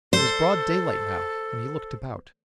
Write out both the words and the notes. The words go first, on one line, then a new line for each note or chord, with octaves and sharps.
It was broad daylight now, and he looked about.
A4 C5